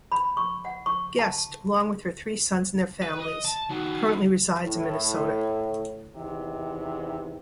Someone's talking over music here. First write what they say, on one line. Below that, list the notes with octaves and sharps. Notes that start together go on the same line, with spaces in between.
Guest, along with her three sons and their families, currently resides in Minnesota.
B5
C#6
F#5
C#6
A5
B4
D#5
A5
D#3 F#4
A2
E2 C3 D#3